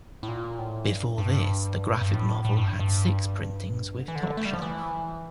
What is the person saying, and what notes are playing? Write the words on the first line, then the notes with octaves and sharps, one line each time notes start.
Before this, the graphic novel had six printings with Top Shelf.
A2
A#2
A2
G2
G2
G2
A2
A2
G2
G2
D3
E3
D3
A3
G3
F3
E3